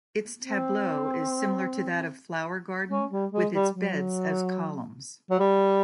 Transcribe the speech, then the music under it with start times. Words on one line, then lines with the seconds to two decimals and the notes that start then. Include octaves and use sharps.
Its tableau is similar to that of Flower Garden with its beds as columns.
0.42 C4
2.91 C#4
3.11 G3
3.32 G#3
3.53 G3
3.74 F#3
5.30 F#3
5.39 G3